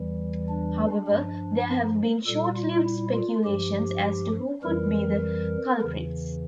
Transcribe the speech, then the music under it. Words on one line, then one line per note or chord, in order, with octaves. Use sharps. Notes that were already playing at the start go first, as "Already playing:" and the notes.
However, there have been short-lived speculations as to who could be the culprits.
Already playing: E2 E3 G3
D4
G2 F3
A#2 G3 A4
F4
E4
F4
G2 F3 G4
F2 E3 G3 A#4
E2 C#3 E3